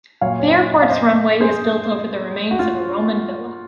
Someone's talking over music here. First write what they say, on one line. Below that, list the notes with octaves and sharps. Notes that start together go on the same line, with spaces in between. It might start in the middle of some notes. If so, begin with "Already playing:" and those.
The airport's runway is built over the remains of a Roman villa.
A#2 F#3 C#5 F5
C#5
C5 D#5
D#5
F5
C5 D#5
G#4 C5
F#4
F4